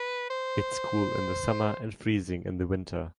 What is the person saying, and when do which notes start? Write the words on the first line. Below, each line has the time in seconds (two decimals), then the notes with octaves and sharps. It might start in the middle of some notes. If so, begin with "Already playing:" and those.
It is cool in the summer and freezing in the winter.
Already playing: B4
0.30 C5